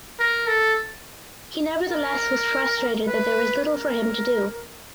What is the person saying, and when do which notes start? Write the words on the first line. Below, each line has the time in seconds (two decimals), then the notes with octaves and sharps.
He nevertheless was frustrated that there was little for him to do.
0.20 A#4
0.48 A4
1.92 A#4
3.07 B4
3.65 A#4